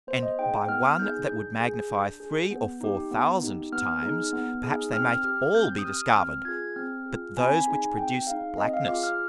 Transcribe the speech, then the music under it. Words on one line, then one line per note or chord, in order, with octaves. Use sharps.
And by one that would magnify three or four thousand times perhaps they might all be discover'd, but those which produce blackness.
B3 C5
D#5
D#4 G#4 G5
B3 F6
D#4 G#4 G6
D4 G6
G#4
D4
G#4
B3
D#4 G4
B3
D#4 G4
B3 F6
D#4 G#4
B3
D#4 G#4
C4 F6
G4 F6
C4 G6
D#6
G4 F6
C4 F6
F4 G#4 G#6
C4 F6
F4 G#4
C4 G#5
B5
G#5
D#4 G#4
C4 G5
D#4 G#4 F5
C4 D#5
F5
F4 G#4 D6
F6